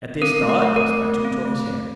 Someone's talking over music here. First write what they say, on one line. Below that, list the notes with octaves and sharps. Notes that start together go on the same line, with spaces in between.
At this thought Passepartout tore his hair.
C4 A#4
A3
A#4
A3
A#4
A3
A3
C4
A3
C4